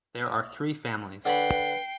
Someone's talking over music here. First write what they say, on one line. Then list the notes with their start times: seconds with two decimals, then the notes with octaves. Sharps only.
There are three families.
1.26 D3 B4 C#5 G5 B5 C7